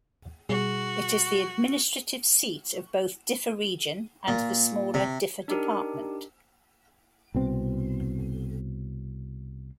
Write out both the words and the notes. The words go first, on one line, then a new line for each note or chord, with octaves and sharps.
It is the administrative seat of both Diffa Region, and the smaller Diffa Department.
B2 G3 F#4 G#4
A#2
C3
D4 D#4 G4 A#4
C2 B2 C4